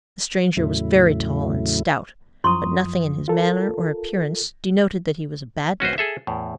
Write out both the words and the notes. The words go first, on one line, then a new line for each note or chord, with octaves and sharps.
The stranger was very tall and stout, but nothing in his manner or appearance denoted that he was a bad man.
E2 A2 C#3 F#3 A3 E4
F#2 F3 E4 C6 C#6 D#6
F4 A4 A#4
C#4 F#4 B4 C5
G#4 A4 E5
E2 A2